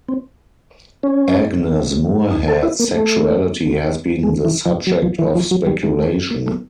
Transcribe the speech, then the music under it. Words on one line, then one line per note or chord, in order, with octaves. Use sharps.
Agnes Moorehead's sexuality has been the subject of speculation.
C4
C#4
D#4
A4
E4
A#3
A3
G#3
E3
F3
F#3
F3
E3
F3
F#3
G3
G#3
A3
A#3
A3